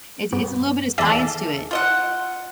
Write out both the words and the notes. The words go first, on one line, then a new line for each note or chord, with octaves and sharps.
It's it's a little bit of science to it.
G2 B3 F#4
E2 G#4 A4 D5 E5
F4 D#5 F#5